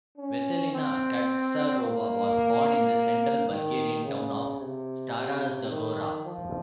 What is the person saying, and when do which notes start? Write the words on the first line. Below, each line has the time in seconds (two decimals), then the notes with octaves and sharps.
Vesselina Katsarova was born in the central Bulgarian town of Stara Zagora.
0.18 C#4
0.73 C4
1.83 A#3
3.49 D#3
4.05 C#3
4.60 C3
5.15 C3
5.70 D#3
6.25 F3